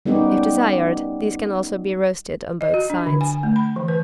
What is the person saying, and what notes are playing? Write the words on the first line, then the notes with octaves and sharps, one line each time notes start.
If desired these can also be roasted on both sides.
G3 B3 C#4 D#4 G4
D#5
F#4
D4
D3
G#5
A3
B5
E3
B4